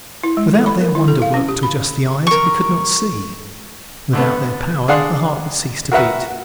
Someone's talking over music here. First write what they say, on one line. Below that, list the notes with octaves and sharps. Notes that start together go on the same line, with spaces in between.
Without their wonder-work to adjust the eyes we could not see; without their power the heart would cease to beat.
E4
G#3
A4
B5
A#4
E4
A4
F5
C#4
G4
B5
A#4 C#6
D3 A3 B3
D4 G#4 F5 F#5 C6
F#4 A#4 B4 E5 F#5